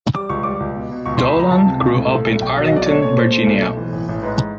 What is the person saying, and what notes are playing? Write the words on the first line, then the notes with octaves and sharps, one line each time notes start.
Dolan grew up in Arlington, Virginia.
G3 D6
C#2 C#6
G3 D6
C#2
B2
B2
C#2 C#6
C6
C#2
B5
C#2 A#5
C#2 A5
C3
C#2
A2
A2
B1
B1 G5
F5
F#3
D#5
B1 D5
A3 C#5
A#2 C#5
A#2 C5
A3
B1
B1
E3
A1
A1
G#2 B4